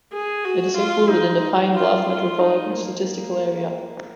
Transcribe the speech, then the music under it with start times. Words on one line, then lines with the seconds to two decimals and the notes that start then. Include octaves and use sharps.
It is included in the Pine Bluff Metropolitan Statistical Area.
0.13 G#4
0.45 F#4
0.78 F4
1.10 D#4
1.75 F4
2.08 F4
2.39 D#4
2.72 A#3